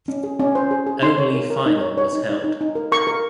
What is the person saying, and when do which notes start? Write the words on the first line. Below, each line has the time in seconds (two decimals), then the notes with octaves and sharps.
Only final was held.
0.08 C#4
0.24 G#4
0.40 C#4
0.55 C5
0.71 G#4
0.86 G#4
1.02 D#4 C6
1.18 C#5
1.34 A#4
1.50 A#4
1.66 D#4
1.81 C#5
1.98 C#5
2.13 D#4
2.29 D#4
2.44 D#4
2.61 D#4
2.75 A#4
2.92 A#4 C#6
3.07 A#4